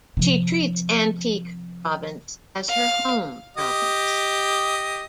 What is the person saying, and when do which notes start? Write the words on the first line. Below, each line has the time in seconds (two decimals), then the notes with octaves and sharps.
She treats Antique province as her home province.
0.17 C3 F3
2.69 F5
3.57 G4 D#5